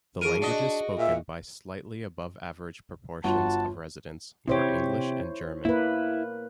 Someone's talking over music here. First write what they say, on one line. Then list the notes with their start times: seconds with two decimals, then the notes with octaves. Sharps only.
The languages spoken by slightly above-average proportions of residents were English and German.
0.21 E2 G#4 A#4 D7 D#7
0.42 D4 F#4 D#5
0.98 A#2 E5
3.24 G1 F4 F#4 A5
4.48 C3 E4 G4 C5 C#5
5.65 A#3 E4 B4